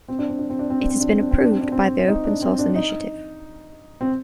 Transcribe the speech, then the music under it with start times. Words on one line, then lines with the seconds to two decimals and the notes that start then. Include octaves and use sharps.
It has been approved by the Open Source Initiative.
0.08 C4
0.19 D4
0.29 C4
0.39 D4
0.50 C4
0.59 D4
0.70 C4
0.80 D4
0.90 C4
1.00 D4
1.11 C4
1.21 D4
1.31 C4
1.41 D4
1.51 C4
1.61 D4
1.72 C4
2.08 D#4
2.25 D4
2.42 C4
2.59 D4
2.75 D#4
4.01 C4